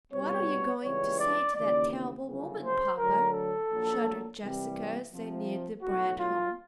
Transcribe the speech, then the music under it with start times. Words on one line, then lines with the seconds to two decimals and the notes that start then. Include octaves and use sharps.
"What are you going to say to that terrible woman, papa?" shuddered Jessica as they neared the Brant home.
0.12 C2 B2 G3 C#5
0.83 C#2 C#3 E3 G3 C#5
1.19 D5
1.54 D#2 C#3 E3 D5
2.26 G1 F#2 C#3
2.61 C5
2.97 D2 D3 F#3 A#4
3.33 A4
3.68 A#1 A#2 F#3
4.40 C2 C3 E3 G3
5.11 F2 C3 F3
5.81 B1 A2 F#3 F#4
6.17 F4